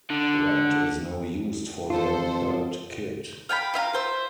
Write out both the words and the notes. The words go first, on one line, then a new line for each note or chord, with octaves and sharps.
Red is now used for the third kit.
D3
F2 F4 A4 C5
F5 G5 G#5 B5
F4 E5 F5 A#5
F4 C5 E5